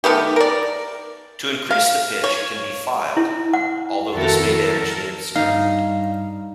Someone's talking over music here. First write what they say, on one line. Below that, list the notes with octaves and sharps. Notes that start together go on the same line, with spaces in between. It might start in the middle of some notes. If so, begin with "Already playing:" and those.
To increase the pitch, it can be filed, although this may damage the instrument.
D#3 A3 B3 G4
A#4 D5
F5
C#5
E4
F#5
F2 D#3 E4 F#4 A4 A#4
A4 A#4
G2 D#4 F5